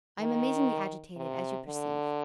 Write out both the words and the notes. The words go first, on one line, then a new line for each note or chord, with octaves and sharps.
I am amazingly agitated, as you perceive.
D#3
C3
D3